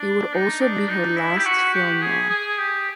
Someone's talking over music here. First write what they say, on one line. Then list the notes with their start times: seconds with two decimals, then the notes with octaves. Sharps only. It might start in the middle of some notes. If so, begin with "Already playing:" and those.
It would also be her last film role.
Already playing: D4
0.34 D#4
0.61 D4
0.89 D#4
1.17 E4
1.37 G4
1.46 F#4
1.74 G4
2.02 G#4
2.30 G#4
2.58 G4